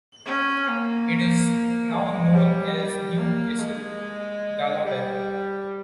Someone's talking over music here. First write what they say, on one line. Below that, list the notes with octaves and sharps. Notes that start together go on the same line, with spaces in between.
It is now known as New Castle, Delaware.
C#4
A#3
G#3
G3
G3
A#3
G#3
G3